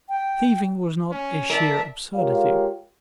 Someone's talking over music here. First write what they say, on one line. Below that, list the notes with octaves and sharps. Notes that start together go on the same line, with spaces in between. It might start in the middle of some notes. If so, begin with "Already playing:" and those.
Thieving was not a sheer absurdity.
G5
C#4
A#4 D5 E5 A5
G#3 F4 G4 A#4 C#5 F5